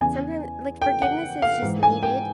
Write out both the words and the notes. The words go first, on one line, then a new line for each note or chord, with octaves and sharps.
sometim like forgiveness is just needed,
E2 C#3 E3 G#5
G5
F#5
F5
G#2 E3
G#5
G5